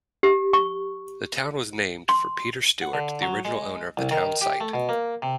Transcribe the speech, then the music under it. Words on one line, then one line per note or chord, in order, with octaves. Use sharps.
The town was named for Peter Stuart, the original owner of the town site.
G4
C#6
C6
F#5
D3
F#3
G#3
C2
D#3
G4
A3
B2
A#3
C3